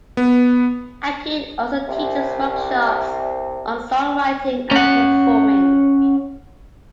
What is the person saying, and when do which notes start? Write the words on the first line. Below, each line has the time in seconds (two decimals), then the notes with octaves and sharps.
Aiken also teaches workshops on songwriting and performing.
0.17 B3
1.87 C2 C3
4.71 C#4 F#5